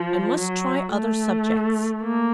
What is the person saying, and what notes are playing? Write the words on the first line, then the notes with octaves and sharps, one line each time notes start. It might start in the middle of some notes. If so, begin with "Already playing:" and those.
"I must try other subjects."
Already playing: F3
F#3
A3
A#3